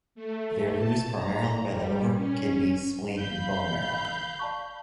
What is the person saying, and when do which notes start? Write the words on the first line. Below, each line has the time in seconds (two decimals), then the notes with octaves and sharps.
They are produced primarily by the liver, kidney, spleen, and bone marrow.
0.15 A3
0.76 A5
1.15 A#5
1.67 G3
2.16 C#4
3.18 F5 B5 G6
4.40 D5 A5 C#6